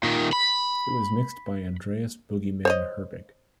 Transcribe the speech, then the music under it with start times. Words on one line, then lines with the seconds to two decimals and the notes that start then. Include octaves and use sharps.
It was mixed by Andreas "Boogieman" Herbig.
0.03 A#2 D#3
0.33 B5
2.65 C5 C#5 D#5